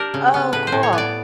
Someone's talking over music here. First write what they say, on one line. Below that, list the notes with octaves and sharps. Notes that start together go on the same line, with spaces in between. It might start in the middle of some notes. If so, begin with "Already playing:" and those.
Oh, cool.
Already playing: D4 G4 A#4
C#3
B3
A2 B4
C5
A2
C#5
B3
D5